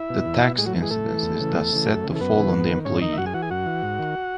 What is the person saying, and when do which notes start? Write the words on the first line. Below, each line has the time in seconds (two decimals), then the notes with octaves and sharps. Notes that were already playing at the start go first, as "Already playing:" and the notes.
The tax incidence is thus said to fall on the employee.
Already playing: E4 E5
0.10 B2
0.26 E2
0.42 B2
0.58 A2 G#3 G#4
0.66 F#3 F#4
0.75 E3
0.83 G#3 G#4
0.90 A2 A3 A4
1.07 E3
1.23 E2
1.39 C#3 E3
1.55 E2
1.72 C#3 E3
1.88 F#2
2.04 C#3 E3
2.15 A4
2.20 F#2 B3 B4
2.37 C#3 E3
2.53 G#2
2.69 D#3
2.85 G#2 C#4 C#5
3.02 D#3 D#4 D#5
3.13 E5
3.18 F#2 F#4 F#5
3.26 G#4 G#5
3.34 E3 F#4 F#5
3.42 G#4 G#5
3.50 F#2 F#4 F#5
3.66 E3
3.83 G#2
3.99 D#3